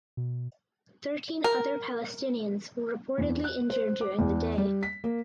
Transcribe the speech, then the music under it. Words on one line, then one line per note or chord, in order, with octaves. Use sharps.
Thirteen other Palestinians were reportedly injured during the day.
B2
A#4
E2
F#6
C5
D6
E2
G3
B6
A#3